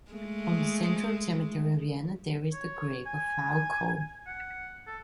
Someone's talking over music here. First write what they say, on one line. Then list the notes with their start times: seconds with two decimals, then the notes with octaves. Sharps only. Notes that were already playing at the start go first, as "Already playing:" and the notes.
On the central cemetery of Vienna there is the grave of Falco.
0.11 G#3 A3
2.53 C#5
3.06 G#5
4.27 F#5
4.87 A4